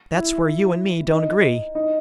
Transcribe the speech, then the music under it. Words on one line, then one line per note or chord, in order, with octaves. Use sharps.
That's where you and me don't agree!
E4
D#4
D#4